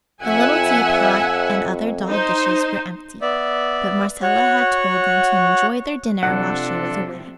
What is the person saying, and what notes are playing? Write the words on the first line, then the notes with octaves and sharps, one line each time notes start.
The little teapot and other doll dishes were empty, but Marcella had told them to enjoy their dinner while she was away.
F2 E5 F#5 G#5
D#4 C5
B3 D5 E5
F#4 C#5 F#5
C3 F3 D4 F4 A4 F#5